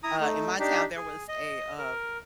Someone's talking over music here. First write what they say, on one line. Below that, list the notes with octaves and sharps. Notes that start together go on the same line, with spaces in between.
uh, in my town there was a, uh,
E4 A#5 D#6
A3 D#4
D4 D#4 G4
G#4
D#5
A#4